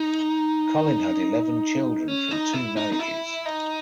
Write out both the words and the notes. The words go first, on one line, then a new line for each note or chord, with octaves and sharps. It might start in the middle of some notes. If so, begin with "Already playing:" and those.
Colin had eleven children from two marriages.
Already playing: D#4
C#4
D#4
E4
D#4
D#4
E4
D#4